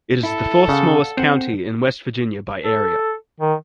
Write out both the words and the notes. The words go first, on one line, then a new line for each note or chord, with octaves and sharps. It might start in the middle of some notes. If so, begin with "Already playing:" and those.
It is the fourth-smallest county in West Virginia by area.
E4 A4
C#3 D5 F5 F#5
C4 C5 F#5
A4
D#3